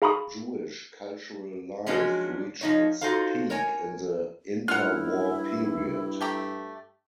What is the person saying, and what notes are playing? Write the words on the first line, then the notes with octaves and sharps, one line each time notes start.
Jewish cultural life reached its peak in the inter-war period.
G#4 F5 A#5 B5 C#6 D#6
F3 F#3 G#3 C#4 D4 F#4
F3 D#4 C#5
D#4 F4 F#4 A4 C5 F5
A#4 C#5 G#5
G2 E4 F4 F#5 F6
A3 G4 A#5